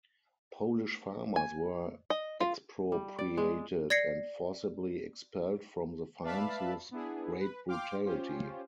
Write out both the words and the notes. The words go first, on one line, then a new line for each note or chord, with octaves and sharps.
Polish farmers were expropriated and forcibly expelled from the farms with great brutality.
G#5
D#5
F4
G3
D5
G#3
D5 G#6 A#6 C7 C#7
B4 D5 E5 F5 A5 B5
B3 D4 E4 G#4
B4
F5 G5 C6 D6 F6
C#4 F4 G4 C5